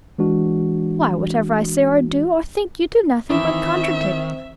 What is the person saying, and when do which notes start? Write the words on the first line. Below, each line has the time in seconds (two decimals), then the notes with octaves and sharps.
Why, whatever I say or do, or think, you do nothing but contradict.
0.18 E3 G#3 D4 F#4
3.30 D#3 E3 C4 E5